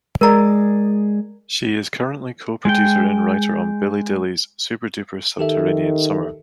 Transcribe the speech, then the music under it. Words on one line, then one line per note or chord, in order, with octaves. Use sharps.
She is currently co-producer and writer on "Billy Dilley's Super-Duper Subterranean Summer".
G#3 G#4 A#4 D5 A#5
G#3 G5
D#3 G4 A4 E5